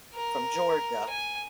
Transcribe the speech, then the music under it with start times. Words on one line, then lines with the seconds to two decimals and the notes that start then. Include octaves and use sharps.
from Georgia.
0.15 A#4
1.09 G#5